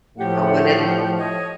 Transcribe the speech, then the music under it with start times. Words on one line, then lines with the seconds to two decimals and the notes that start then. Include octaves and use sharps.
I wanted
0.18 A2 F3 A3 G4 F#5
1.17 C#5 D#5